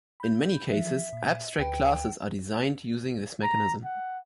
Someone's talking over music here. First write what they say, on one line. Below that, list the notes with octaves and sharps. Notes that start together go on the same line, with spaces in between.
In many cases, abstract classes are designed using this mechanism.
B5 G6
E3 F3 E5
A#2
D2 B4 G5
A#5
F#5